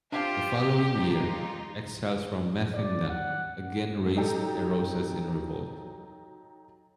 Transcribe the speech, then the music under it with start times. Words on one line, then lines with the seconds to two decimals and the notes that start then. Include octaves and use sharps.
The following year, exiles from Methymna again raised Eresos in revolt.
0.12 D4 F4 G4 C5 E5 F5
0.92 G#3 D#4 F4
2.73 D5
3.08 F#5
4.16 F#3 D#4 G4 A4